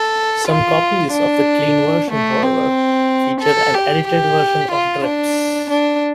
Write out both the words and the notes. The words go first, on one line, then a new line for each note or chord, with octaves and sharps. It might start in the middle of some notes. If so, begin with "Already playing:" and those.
Some copies of the clean version, however, feature an edited version of Drips.
Already playing: A4
F4
D4
A3
C4
A4
G4
G4
F4
D4
D4